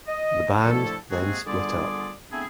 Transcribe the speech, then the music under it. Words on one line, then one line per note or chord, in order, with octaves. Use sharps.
The band then split up.
D#5
D3 F3 A3 E4 A4
C3 G#3 A#3 C4 F#4 G#4
D3 G3 B3 F4 G#4 D5
A3 B3 C4 D4 E4 G#4